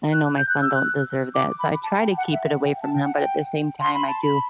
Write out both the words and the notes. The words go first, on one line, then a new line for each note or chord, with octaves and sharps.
I know my son don't deserve that. So I try to keep it away from him, but at the same time, I do
F#6
G6
F#6
E6
F#6
D6
B5
A5
G5
F#5
E5
F#5
G5
A5
G5
F#5
G5
C6
B5
A5
B5